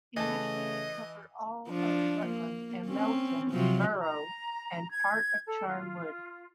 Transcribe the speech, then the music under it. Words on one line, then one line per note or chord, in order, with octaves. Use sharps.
Initially it covered all of Rutland and Melton Borough and part of Charnwood.
C#3 E3 A3 D#5 A5
F3 D4
A#3
C4 C#4
C3 F3 F#3
A#5
G#6
A4
F4